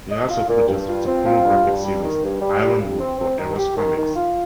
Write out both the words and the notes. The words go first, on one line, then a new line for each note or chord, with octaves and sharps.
He also produced the pornographic series "Ironwood" for Eros Comix.
D#5
F4
A#2
G2
F4
C4
F4
G2
G2
G3
D#3
G2
G3
G3
G2
C4
C4
D#3
G4
D#3
D#3
F4